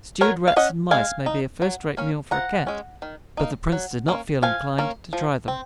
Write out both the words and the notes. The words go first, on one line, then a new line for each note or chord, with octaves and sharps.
Stewed rats and mice may be a first-rate meal for a cat, but the Prince did not feel inclined to try them.
F#3 A#4 C#5
F5
C#4 D#5 F#5
G#3 F5 G#5
D#4
F#3
A#3 C#4
F3 F#5 A#5
G#3 C#4
D#3
A#3 D#4
F#3
A#3 C#4
F3 F5 G#5
A#3 C#4
F3
C4